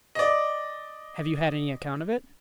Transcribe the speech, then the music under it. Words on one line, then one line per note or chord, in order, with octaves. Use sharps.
"Have you had any account of it?"
D5 D#5